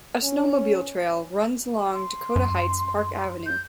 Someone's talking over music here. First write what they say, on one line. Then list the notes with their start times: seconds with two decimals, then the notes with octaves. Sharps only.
A snowmobile trail runs along Dakota Heights' Park Avenue.
0.23 C#4
1.93 C6
2.36 F#2
3.46 G6